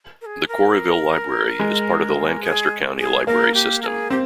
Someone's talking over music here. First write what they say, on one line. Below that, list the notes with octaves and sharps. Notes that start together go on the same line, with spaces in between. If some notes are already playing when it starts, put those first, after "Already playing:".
The Quarryville Library is part of the Lancaster County Library System.
A#4
G#4
A#4
G#3
G#4
G#4
A#3 A#4
G4
A#4
G#4
C4 G4